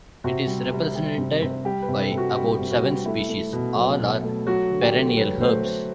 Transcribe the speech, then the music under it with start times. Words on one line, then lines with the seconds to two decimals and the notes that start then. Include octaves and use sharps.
It is represented by about seven species, all are perennial herbs.
0.24 C3 F#4
0.47 G3
0.71 G3
0.95 G3
1.18 C3
1.42 C3
1.65 G3 G4
1.82 B4
1.88 C3
2.00 A4
2.12 C3
2.18 F#4
2.35 G3 G4
2.59 C3
2.71 F#4
2.82 G3
3.05 A3 E4
3.29 A3
3.53 B2
3.76 F#3
4.00 B2
4.23 A3
4.46 F#3 F#4
4.71 D3
4.81 G4
4.94 D3
5.17 F#3 B4
5.41 A3 C5
5.64 A3 C5